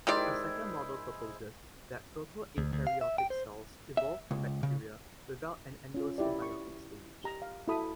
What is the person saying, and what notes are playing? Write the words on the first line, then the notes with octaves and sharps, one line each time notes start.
A second model proposes that proto-eukaryotic cells evolved from bacteria without an endosymbiotic stage.
D#3 G#3 E4 G4 C5 D5
D2
D2
F5
E5
G5
C5
E5
C#2
C#3
C#4 F4
E4 G4 D5
C#6
G4 A#5
F5
E4 F#4 A4 B5 D#6